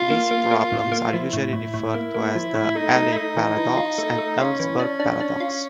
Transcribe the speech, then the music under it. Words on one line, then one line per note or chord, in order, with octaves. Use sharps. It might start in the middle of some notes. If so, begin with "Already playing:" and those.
These problems are usually referred to as the Allais paradox and Ellsberg paradox.
Already playing: F4
A#3
A#3
A#3
A2
A#3
F3 E4
A2
A2
A2
A#3
A#3
F3
A2
A3 D#4
A3
E4
A3 D#4
E3
E3
F4
A3
A3
C#4 F4
E3
D4
D4
D4
F4